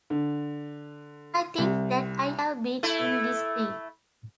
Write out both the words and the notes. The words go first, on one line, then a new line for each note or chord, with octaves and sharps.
I think that I have been indiscreet.
D3
C2
A3 E4